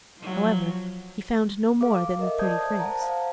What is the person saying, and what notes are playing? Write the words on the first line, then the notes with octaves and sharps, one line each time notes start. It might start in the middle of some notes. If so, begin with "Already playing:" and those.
However, he found no more than the thirty francs.
F3 F#3
A4 F5 D6
A#4 D#5 E5
C5 D5 A5 D#6 G6 G#6
C5 F#5 A5 A#5
F5